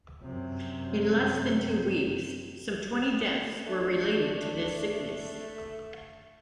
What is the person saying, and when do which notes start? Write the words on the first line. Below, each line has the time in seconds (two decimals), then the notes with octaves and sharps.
In less than two weeks, some twenty deaths were related to this sickness.
0.22 F#2 C3
3.66 A3 D4